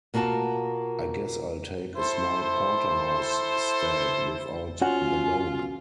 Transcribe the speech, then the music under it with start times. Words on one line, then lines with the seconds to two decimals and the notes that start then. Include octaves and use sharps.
I guess I'll take a small porterhouse steak, without the bone.
0.14 B2 A#3 F4 F#4 A5
1.95 E4 A4 C5
4.81 C#4 F4 F#4 F#5 G#5